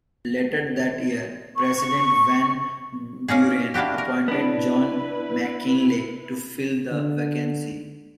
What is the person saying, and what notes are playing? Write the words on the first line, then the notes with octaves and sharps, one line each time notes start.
Later that year, President Van Buren appointed John McKinley to fill the vacancy.
C#6
A#3 C#4 D#4 G#4
A#3 D4 E4 F#4 G4
A#4
B3 D4 E4 B4
D3